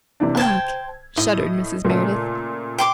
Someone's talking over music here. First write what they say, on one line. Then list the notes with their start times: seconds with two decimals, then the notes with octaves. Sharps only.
"Ugh!" shuddered Mrs. Merideth.
0.20 C3 E3 D4
0.37 C5 G5 A5 G#6
1.17 A2 D#5
1.85 A#2 C#3 A3
2.78 G5 C6 D6